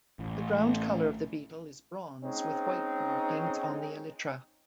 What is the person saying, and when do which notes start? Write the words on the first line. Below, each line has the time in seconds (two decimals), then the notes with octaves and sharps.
The ground colour of the beetle is bronze with white markings on the elytra.
0.19 A1
2.23 G#3 C4 C#4 D#4